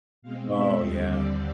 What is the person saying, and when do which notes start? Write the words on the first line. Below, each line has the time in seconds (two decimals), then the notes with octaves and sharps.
Oh, yeah.
0.22 B2 G#3 C4 F5
0.51 E5
0.79 D#2 D3 G3 C4 D#5
1.09 D5